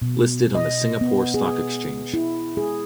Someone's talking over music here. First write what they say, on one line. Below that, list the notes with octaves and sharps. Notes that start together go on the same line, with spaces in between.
Listed on the Singapore Stock Exchange.
B2
D#5
B3
G#4
E4
G#4